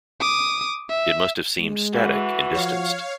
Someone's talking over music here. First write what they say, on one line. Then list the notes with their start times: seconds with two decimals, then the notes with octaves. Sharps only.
It must have seemed static and distanced.
0.20 D6 D#6
0.89 E5
1.59 G#3
1.94 D3 E3 F#4
2.54 F3 C#5 F5